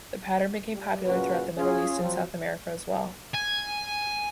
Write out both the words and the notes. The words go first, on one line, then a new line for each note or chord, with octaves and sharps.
The pattern became popular throughout the Middle East and South America as well.
G3
F#2 A#2 C#3 C#4 F#4 B4
C#4 F4 G#4
F3 F#3 C4
G#5